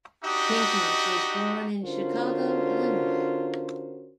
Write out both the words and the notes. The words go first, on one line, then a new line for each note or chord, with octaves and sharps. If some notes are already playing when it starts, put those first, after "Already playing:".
Pinkins was born in Chicago, Illinois.
D4 D#4 F#4 G4 D#5
D3 C#4 F4 F#4 A#4 C5